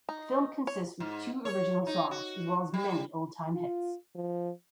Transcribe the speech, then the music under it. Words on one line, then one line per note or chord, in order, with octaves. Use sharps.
The film consists with two original songs as well as many old time hits.
D#4
C#5
G#2
C#5
D#4
F#4
G3
F4
F3